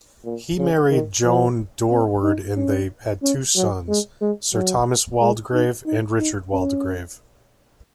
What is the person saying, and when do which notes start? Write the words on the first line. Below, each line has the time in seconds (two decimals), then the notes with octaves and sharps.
He married Joane Doreward and they had two sons-Sir Thomas Waldegrave, and Richard Waldegrave.
0.25 A#2
0.58 C#3
0.91 D#3
1.25 F3
1.91 C4
2.23 D#4
2.56 C#4
3.23 C#4
3.56 F#3
3.88 G#3
4.21 G#3
4.54 F#3
5.21 G#3
5.53 D#4
5.86 D#4
6.20 D#4
6.53 C#4